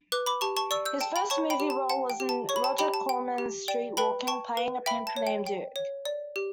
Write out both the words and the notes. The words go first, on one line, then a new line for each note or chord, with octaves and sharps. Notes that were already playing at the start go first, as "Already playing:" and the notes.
His first movie role was in Roger Corman's "Streetwalkin"' playing a pimp named Duke.
B4 D6 F#6
B5 D6
G4 A5 C#6
A5 C#6
D5 C#6 E6
E6 G6
G5 A5
G5 B5
C#5 A5 C#6
G5 B5
G4
A5
F#5 A5
G5
G4
A5
C#5 C#6
B5
A5
G4 G5 B5
A5
G5
G4
D5 G5
B4 G5 B5
G5 A5 C#6
B4
E5 G5 B5
A5
C#5
G5
G5
C#5
D5
G4